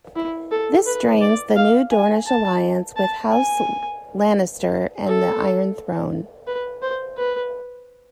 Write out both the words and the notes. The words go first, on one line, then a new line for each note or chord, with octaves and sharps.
This strains the new Dornish alliance with House Lannister and the Iron Throne.
E4
A4
B4
D5
F5
G#5
A5
A5
G#5
A4
B4
C5
B4